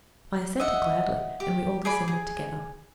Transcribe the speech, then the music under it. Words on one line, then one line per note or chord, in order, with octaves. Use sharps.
I assented gladly, and we all descended together.
D#5 E5 F#5
G4
G#4 D5 B5
G#4